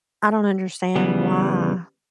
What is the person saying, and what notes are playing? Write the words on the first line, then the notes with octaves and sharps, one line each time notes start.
I don't understand why
C#3 E3 G3 B3